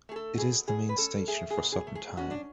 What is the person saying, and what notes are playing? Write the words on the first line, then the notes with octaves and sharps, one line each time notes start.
It is the main station for Sutton town.
A3 G#4
A4
B2 G#4
B2 G#4
B4
C#4 A4
A3 G#4
G#4
B2
G#4
A3
G#4
C#4 F#4
D4